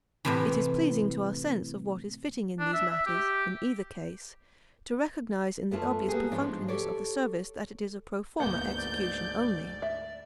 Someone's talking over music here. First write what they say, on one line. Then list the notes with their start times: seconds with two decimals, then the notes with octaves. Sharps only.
It is pleasing to our sense of what is fitting in these matters, in either case, to recognize in the obvious perfunctoriness of the service that it is a pro forma execution only.
0.25 A2 C3 E3
2.59 D4
2.73 E5
2.90 E5
3.06 G4
5.71 F#2 A3 B3 F4 C#5 A5
6.08 A#3 B3 G4 G#4
6.31 G#2 F3 G#3 D4 C#5
6.68 G4 A4 C#5 D5
8.40 D2 G#2 A#3 B3 F#5 G6
8.77 D5
9.82 E5